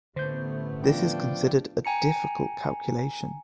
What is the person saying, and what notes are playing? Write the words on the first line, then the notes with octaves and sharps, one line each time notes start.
This is considered a difficult calculation.
A1 D3 A3 B3 C5 G6
F3 D4 G5
G5 G#5 A#5 C#7